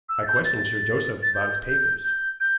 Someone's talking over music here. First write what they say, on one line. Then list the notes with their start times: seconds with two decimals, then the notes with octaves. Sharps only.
I questioned Sir Joseph about his papers.
0.09 E6
0.23 A6
0.27 G6
0.45 A6
1.22 A6
1.34 G6
1.69 G6
2.04 G6
2.40 G6